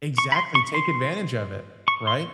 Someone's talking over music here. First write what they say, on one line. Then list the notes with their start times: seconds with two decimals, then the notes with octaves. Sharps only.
Exactly, take advantage of it, right?
0.18 C#6
0.32 B5
0.36 C6
0.55 C#6
0.74 C6
1.88 C#6
2.07 C6